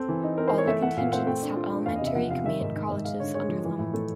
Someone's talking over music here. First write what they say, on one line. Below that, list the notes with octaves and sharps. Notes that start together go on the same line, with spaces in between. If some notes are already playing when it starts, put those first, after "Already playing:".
All the contingents have elementary command colleges under them.
Already playing: C4 A4
E3
D#4
C4 A#4
C5
E3
C#5
A3 E5
A3 F#5
A#2 F5
C4 F#5
A3 G5
D4
F4
D4
E2 F5
D#5
C3 E5
F3 F#5
C3 F5
D#3 E5
G#2
D#3
G#2
G#3 F5
D3 C#5
G#3 C#5
F3
E3
A2
A3